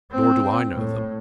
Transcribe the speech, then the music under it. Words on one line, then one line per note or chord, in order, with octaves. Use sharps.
Nor do I know them.
C4
A2